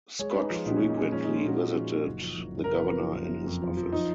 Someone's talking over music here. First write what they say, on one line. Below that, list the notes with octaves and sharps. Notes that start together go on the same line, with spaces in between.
Scott frequently visited the governor in his office.
G#3 C#5
D#4 B4
G#4
F3 F4
A#2 D#4
C#4
A#2
D#4
G#3 C#4
F3 C#4
F3 D#4
F4
A#2 F#4
G#3
F3
D#4
F#1
F3
F#1
F#1
F#1 A#4
B4
F3 A#4
F3
F#1
F3
F2
F3
F3
F3 D#4